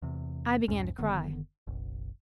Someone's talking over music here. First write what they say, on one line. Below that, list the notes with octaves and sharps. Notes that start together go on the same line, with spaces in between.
I began to cry.
E2 C3
C2 F2 G#2 C#4
F#1 D3 D#3 B3
F#1 B1